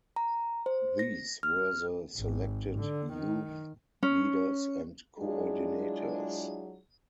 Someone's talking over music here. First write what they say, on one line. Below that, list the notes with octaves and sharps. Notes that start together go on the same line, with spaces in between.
These were the selected youth leaders and coordinators.
A#5
C5
A#6
F6
G#1
D3
D#3
C#4
F#3 G#3 D4 E4 F4 G#4